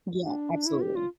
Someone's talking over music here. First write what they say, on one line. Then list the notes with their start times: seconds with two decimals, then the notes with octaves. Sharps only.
Yeah, absolutely.
0.22 D4
0.51 D4
0.66 E4
0.81 G4
0.96 F4